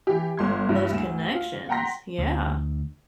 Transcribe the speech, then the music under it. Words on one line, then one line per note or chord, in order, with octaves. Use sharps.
keep those connections. Yeah.
E3 G4
G1 C6 G#6
G2 E4
D2 E7
F4
F#5 G5 A#5 C6 A#6 B6
D2